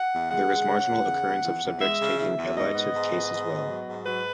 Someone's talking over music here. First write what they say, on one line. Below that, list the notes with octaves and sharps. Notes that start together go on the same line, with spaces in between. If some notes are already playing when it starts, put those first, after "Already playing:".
There is marginal occurrence of subjects taking ablative case as well.
Already playing: F#5
E2
G#3 F#5
G#3
C#3
E2
C#3
E2
E2
E2
G#3 E5
C#3
E2 E5
E2
G#2 D#5
B3
G#2
B3
G#2
B3
F#3
G#2
F#3 B4